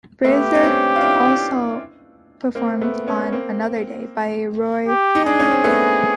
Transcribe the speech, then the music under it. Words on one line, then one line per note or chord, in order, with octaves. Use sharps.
Fraser also performed on "Another Day" by Roy Harper.
A3 B3 G4
C#4
C4 D4
F4
D4 E4
A#3 C4
A3 B3
B3 C#4
A#3 C4
G4
D#4
D4 G#4
C#4
C4
A3 B3